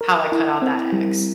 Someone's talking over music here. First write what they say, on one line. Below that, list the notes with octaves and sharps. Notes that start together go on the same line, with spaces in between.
how I cut out that ex.
A#4
E4
C4
G3